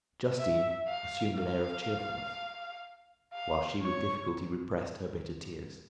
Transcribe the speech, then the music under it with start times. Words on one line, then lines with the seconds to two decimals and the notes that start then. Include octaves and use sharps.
Justine assumed an air of cheerfulness, while she with difficulty repressed her bitter tears.
0.38 E5
0.88 F5
1.37 F5
3.33 F5
3.82 C#5